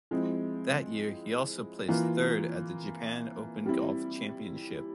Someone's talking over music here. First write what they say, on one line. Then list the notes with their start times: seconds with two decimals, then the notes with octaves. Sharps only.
That year he also placed third at the Japan Open Golf Championship.
0.11 F3 G#3 C4 E4
1.88 E3 A#3 F4
3.66 G3 C4 E4